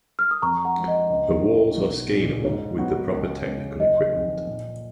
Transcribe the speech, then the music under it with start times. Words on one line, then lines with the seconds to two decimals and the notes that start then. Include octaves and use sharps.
The walls are scalable with the proper technical equipment.
0.19 F6
0.31 D#6
0.42 F2 A#5 C#6
0.65 F#5 A#5
0.77 F3 G#3
0.88 D#5
1.10 C#2 D#5
1.44 C#3 G#3
1.77 B1
2.11 A#2 G#3
2.45 G#2 C#5
2.78 F#3 B3 F#4
3.13 C#2
3.46 C#3 G#3 C#4
3.80 F#1 D#5
4.13 F2 D#3
4.47 A#2